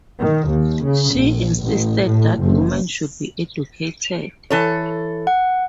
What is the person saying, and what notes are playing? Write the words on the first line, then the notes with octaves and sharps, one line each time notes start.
She insisted that women should be educated.
D#3
D#2
C#3
A#1
A1
A2
F#1
E3 A4 C#5
F#5